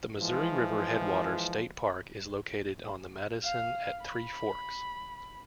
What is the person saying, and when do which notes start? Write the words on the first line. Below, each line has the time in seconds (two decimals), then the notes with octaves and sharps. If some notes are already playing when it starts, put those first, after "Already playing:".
The Missouri River Headwaters State Park is located on the Madison at Three Forks.
0.19 E3 F3 G#3
3.43 F5
4.03 B5